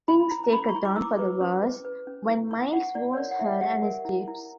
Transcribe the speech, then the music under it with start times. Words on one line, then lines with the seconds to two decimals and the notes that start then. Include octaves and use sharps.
Things take a turn for the worse when Miles wounds her and escapes.
0.08 C#4 B5
0.31 E4 A#5
0.44 A#5
0.52 C#4 B5
0.69 C#6
0.75 E4
0.85 D6
0.96 E4 E6
1.03 D6
1.19 B4
1.40 C#4
1.63 B4
1.85 B4
2.07 C#4
2.29 E4
2.51 E4 C#6
2.73 E4 F#5
2.95 E4 D5
3.13 C#5
3.17 A#4 D5
3.31 F#5
3.39 E4 E5
3.61 G4 F#5
3.83 A#4
4.05 E4
4.28 E4